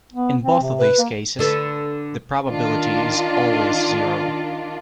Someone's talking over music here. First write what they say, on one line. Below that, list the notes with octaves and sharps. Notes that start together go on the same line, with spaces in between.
In both of these cases the probability is always zero.
B3
C4
C3
B4
A#3
D3 A4 B4
D#3 D4 F4